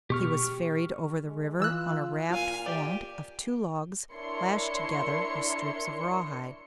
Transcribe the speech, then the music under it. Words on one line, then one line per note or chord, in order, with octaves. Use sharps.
He was ferried over the river on a raft formed of two logs lashed together with strips of rawhide.
B2 G4 C#6 F6
G#3
E3 F4 E6 F#6
A#2 F4 F5 G#5
G4 D5
D4 E4 A#4 C#5 C6 C#7